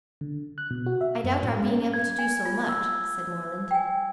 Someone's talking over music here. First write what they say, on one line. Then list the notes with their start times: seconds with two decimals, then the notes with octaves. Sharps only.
"I doubt our being able to do so much," said Morland.
0.21 D3
0.58 F#6
0.71 B2
0.86 F#4
1.01 E5
1.24 F#2
1.42 A2
1.57 G#3
1.69 C#4
1.94 G#6
2.19 G#5
2.45 F4
2.69 E6
3.71 G5 G#5